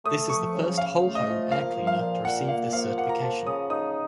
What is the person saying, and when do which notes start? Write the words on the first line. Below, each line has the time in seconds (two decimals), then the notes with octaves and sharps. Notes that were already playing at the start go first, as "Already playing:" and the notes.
This is the first whole home air cleaner to receive this certification.
0.05 A3 D#6
0.29 F3 C#6
0.54 C#3
0.78 C#3 F5
1.02 A3
1.15 D#5
1.27 F3
1.51 A#3 F5
1.75 F3
1.87 F5
2.00 A#2
2.25 A#2 F#5
2.48 A#3 F5
2.73 F3 F5
2.97 A#3 F#5
3.09 A#5
3.21 F3 A5
3.45 C#3 D#6
3.70 D#4 D#6